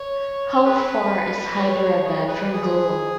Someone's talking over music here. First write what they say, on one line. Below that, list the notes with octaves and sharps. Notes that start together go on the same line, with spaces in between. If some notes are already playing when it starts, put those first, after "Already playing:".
How far is Hyderabad from Goa?
Already playing: C#5
C#5
G#4 B4
C#5
G#4 C#5
G#4 B4
G#4